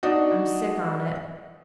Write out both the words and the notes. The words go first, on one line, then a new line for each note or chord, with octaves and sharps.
'I'm sick on it.
D4 D#4 F#4